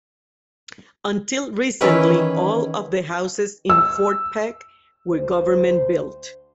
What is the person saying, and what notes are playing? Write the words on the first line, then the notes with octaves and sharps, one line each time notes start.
Until recently all of the houses in Fort Peck were government built.
D#3 E3 C#4 E4 B4
E6
D2 C5